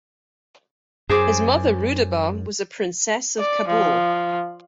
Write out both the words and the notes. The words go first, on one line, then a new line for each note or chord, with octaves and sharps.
His mother Rudaba was a princess of Kabul.
F#2 G#4 C5 G#5 D6
D5
F3